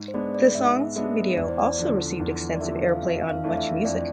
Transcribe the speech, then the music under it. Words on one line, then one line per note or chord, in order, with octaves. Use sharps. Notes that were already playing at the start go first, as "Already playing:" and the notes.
The song's video also received extensive airplay on MuchMusic.
Already playing: G#2
C5
G#3 B3 D4 D5
D5
G#2 E5
G#3 B3 D4 E5
E2 D5
C5
D5
D3 F3
E2
D5
D3 F3 E5
F5
F2 E5
F5
E3 A3 D4
F5
E5
F2 D5